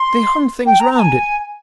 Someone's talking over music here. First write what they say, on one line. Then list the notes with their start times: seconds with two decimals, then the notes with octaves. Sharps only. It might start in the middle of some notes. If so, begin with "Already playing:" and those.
They hung things round it.
Already playing: C6
0.66 G5
0.80 A#5
0.95 A#5
0.99 G#5